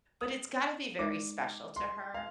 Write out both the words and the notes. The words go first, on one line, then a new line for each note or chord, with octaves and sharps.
But it's gotta be very special to her
D#6
G#3 D#4 A#4 D5 D6
C6
F5